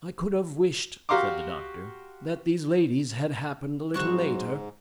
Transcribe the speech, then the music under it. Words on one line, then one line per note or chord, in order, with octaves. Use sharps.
"I could have wished," said the doctor, "that these ladies had happened a little later...."
F#4 G4 F5 A#5 C6 D6
G#2 F#3 C4 C#6 F#6